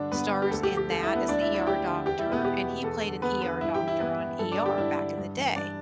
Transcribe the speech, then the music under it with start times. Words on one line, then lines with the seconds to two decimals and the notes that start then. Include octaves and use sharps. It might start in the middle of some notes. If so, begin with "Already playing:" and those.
stars in that as an ER doctor and he played an ER doctor on ER back in the day,
Already playing: G2 D3 D4 D5
0.12 G2 B3 B4
0.31 D3
0.42 G4
0.51 D2 A4
0.63 G4
0.70 D3
0.77 G4
0.89 D2 A4
1.03 E4 E5
1.09 D3
1.15 B3 B4
1.28 D2 D4 D5
1.41 E4 E5
1.48 D3
1.54 E4 E5
1.67 D2 G4 G5
1.87 D3
2.06 E2 G4 G5
2.19 E4 E5
2.26 B2
2.32 B3 B4
2.45 E2 G4
2.64 B2
2.83 E2 A4
3.03 D3
3.22 E2 B3 B4
3.42 D3 B3 B4
3.61 G2 E4 E5
3.74 G4 G5
3.81 E3
3.87 E4 E5
4.00 G2 B3 B4
4.20 E3
4.39 G2 A4
4.52 D4 D5
4.59 D3
4.66 G4 G5
4.78 G2 E4 E5
4.98 D3
5.17 G2
5.37 E3
5.56 G2 D4 D5